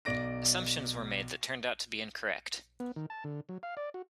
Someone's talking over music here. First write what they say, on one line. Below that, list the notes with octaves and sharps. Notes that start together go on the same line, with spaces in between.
Assumptions were made that turned out to be incorrect.
B1 D5 A#6 D7
B3
D#3
A5
D3
F#3
F5
D5
F#4